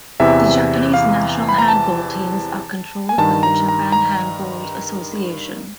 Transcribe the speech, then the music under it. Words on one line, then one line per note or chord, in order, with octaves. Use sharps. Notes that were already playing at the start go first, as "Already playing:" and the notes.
The Japanese national handball teams are controlled by the Japan Handball Association.
E2 C3 E3 E5
F5
B5
A#5
A5
G#5
G2 D#3 A5
A#5
A#5
A#5